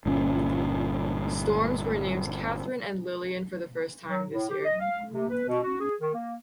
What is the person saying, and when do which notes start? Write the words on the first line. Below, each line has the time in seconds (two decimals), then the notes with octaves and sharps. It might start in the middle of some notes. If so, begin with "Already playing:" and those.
Storms were named Katherine and Lillian for the first time this year.
0.06 G1 A#2 C#4
4.08 F#3
4.30 A2
4.49 G4
4.65 D#5
4.80 F5
5.13 C3
5.29 B4
5.47 B2
5.63 F#4
5.80 G#4
6.00 D#3
6.13 A#3